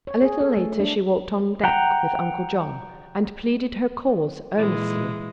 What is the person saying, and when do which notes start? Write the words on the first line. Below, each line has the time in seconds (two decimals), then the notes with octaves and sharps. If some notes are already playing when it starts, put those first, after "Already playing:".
A little later she walked on deck with Uncle John and pleaded her cause earnestly.
0.07 C#5
0.22 G#4
0.41 A4
0.57 A3
0.80 D4
1.64 F#5 G5 A#5
4.55 A#2 E3 G#3